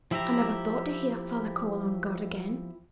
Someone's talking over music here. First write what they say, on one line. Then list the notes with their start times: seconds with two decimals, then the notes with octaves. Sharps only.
'I never thought to hear father call on God again.
0.11 F3 E4 G4 E5 A#5